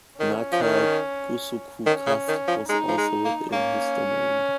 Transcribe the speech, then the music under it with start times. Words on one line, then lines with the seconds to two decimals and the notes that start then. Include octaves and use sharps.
Nakagusuku Castle was also within his domain.
0.20 D#3 C#4
0.52 F3
0.62 D#3
1.86 D#3 C#4
2.07 C#3
2.28 D#3
2.48 F3
2.69 G#3 D#4
2.88 F3
2.98 G#3
3.25 A#3
3.52 A#3 C#4